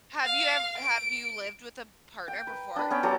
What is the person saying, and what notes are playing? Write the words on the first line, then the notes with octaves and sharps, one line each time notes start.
Have you ev have you lived with a partner before?
F5
D7
G5
B4
D4 B4
B3 C#4 C#5 G5
F#3 G4 A4 A#5